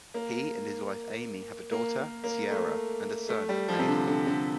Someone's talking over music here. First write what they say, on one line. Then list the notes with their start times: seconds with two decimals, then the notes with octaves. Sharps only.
He and his wife Amy have a daughter, Ciara, and a son, Aidan.
0.14 A#3
1.72 A#3
1.98 A#3
2.24 A#3
2.50 A3
3.29 A3
3.49 G3
3.69 F3
3.79 C3
3.88 D3
4.07 D3
4.27 D3